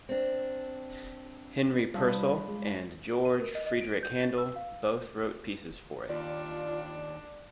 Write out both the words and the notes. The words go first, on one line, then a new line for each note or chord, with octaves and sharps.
Henry Purcell and George Frideric Handel both wrote pieces for it.
C4 D4
C3 F3 G3 D4
B5
G#3
D7
D#7
A#4
D#5
D#5
D7
G6
A6
E6
F5
D#2 D4 F4 D5